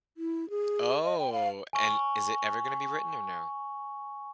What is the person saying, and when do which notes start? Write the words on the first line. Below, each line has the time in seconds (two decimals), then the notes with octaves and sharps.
Oh, and is it ever gonna be written or no?
0.17 E4
0.50 G#4
1.04 D#5
1.19 G5
1.33 F5
1.73 G#5 C#6